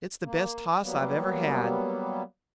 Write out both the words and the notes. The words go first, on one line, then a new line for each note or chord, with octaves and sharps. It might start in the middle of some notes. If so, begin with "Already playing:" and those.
It's the best hoss I've ever had.'
A#3
F#3 G3 A#3 B3